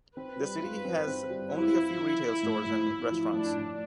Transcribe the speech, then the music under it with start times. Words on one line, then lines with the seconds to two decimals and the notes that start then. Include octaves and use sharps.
The city has only a few retail stores and restaurants.
0.17 C4 B4
0.39 G3
0.62 F4
0.85 C4
1.07 C4
1.30 G3
1.52 E4 F4
1.75 F4
1.98 F3
2.20 F3
2.43 A2
2.66 A2
2.88 A2
3.11 F3
3.33 A3 D4
3.56 A2